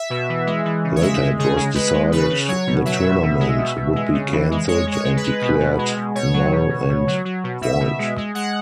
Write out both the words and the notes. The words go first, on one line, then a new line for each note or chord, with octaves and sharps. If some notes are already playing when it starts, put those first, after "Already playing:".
Later it was decided the tournament would be cancelled and declared null and void.
Already playing: E5
B2
E3
G#3
E3
C#3
C#5
G#3 E5
G#3
C#3 G#4
G#3
G#3 B4
G#3
C#3 B4
C#3
F#3 C#5
B2
F#3 E5
B2
B2
G#3
B2
B2
G#3
C#3
E3
G#3
G#3 C#5
G#3
C#5
G#3
B4
G#3
B2
B2
G#3
B2
B2 C#5
F#3
B2
B2
B2
F#3
F#3
B2
B2 E5
B2
G#3
G#3
G#3 F#5